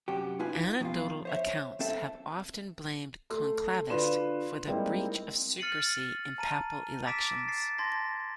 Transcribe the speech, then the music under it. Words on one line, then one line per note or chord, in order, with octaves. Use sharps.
Anecdotal accounts have often blamed conclavists for the breach of secrecy in papal elections.
F#2 C3 F#4 G4
D#4 F4 B4 G#5
F2 B2 F4
C5 C#5 E5
C4 A4 E5
A3 C6
D3 F4 B4 D5 C6 E7
G3 G#3 A#3 C4 D#4 E4
F6 A6 C7 C#7 D#7 F#7
A5 A#5 D#7
D6 E6 A6 B6 D7 E7
A6 C7
A5 C6 G#6 A#6